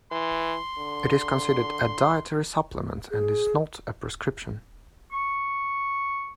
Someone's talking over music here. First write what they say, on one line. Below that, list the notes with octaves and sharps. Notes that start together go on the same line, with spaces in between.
It is considered a dietary supplement and is not a prescription.
E3 C6
D3
G#4
C#6